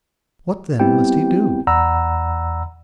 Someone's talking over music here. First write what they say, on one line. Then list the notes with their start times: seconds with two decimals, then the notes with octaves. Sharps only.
What then must he do?
0.80 G3 B3 C4 E4 G4 G5
1.67 E2 D5 F#5 A#5 B5 E6